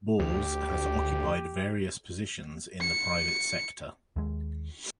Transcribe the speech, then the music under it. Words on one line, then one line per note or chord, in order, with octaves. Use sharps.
Bours has occupied various positions in the private sector.
D2 G4
C#7
D#2 G#3